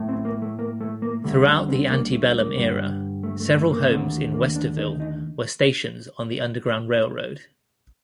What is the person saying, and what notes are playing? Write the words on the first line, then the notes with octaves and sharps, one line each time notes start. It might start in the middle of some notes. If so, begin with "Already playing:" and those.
Throughout the Antebellum era, several homes in Westerville were stations on the Underground Railroad.
Already playing: A2 A3
C4
A#3
A3
A#3
A3
A#3
D2 D3 G3 A3
A3
C4
A#3
A3
A#3
G2 D3 G3
A3
A3
A3
A#3
D#2 D3 A3 C4
A#3
D4
D#4
D#4